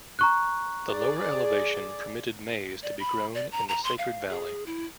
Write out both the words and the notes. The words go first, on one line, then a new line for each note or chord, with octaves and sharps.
The lower elevation permitted maize to be grown in the Sacred Valley.
A#5 C#6 F#6
G#4 D5
D5
B5
D5
A#5
A#5
C6
F5
G#4
E4